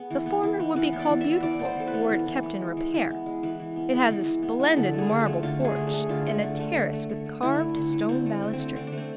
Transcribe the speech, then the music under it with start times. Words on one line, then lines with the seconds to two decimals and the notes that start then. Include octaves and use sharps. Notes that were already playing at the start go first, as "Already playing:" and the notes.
The former would be called beautiful were it kept in repair; it has a splendid marble porch, and a terrace with carved stone balustrade.
Already playing: B3 G#4
0.10 E3
0.26 B3
0.43 E3
0.60 B3
0.76 E3 B4
0.93 B3
0.99 D5
1.09 E3
1.21 E5
1.27 B3
1.43 E3 D5
1.59 B3
1.65 C5
1.76 E3 A4
1.87 B4
1.94 B3
2.09 E3
2.26 E3
2.43 B3
2.60 G#3
2.77 E3
2.94 E3
3.10 B3
3.26 G#3
3.43 E3 B4
3.59 E3
3.76 B3
3.93 G#3
4.10 E3
4.26 E3
4.42 B3
4.60 G#3
4.76 D3 A4
4.93 A3
4.98 G#4
5.10 D3
5.20 F4
5.26 A3
5.43 D3 F4
5.60 A3 G#4
5.76 D3
5.87 G#4
5.93 A3
6.09 D3 F4
6.27 A3
6.43 D3
6.60 A3
6.76 D3
6.93 A3
7.09 D3
7.26 A3
7.43 D3 E4
7.59 A3
7.76 D3
7.93 A3
8.09 D3 C4
8.26 A3
8.43 D3
8.53 C4
8.59 A3
8.76 D3 C4
8.87 D4
8.92 A3
8.98 C4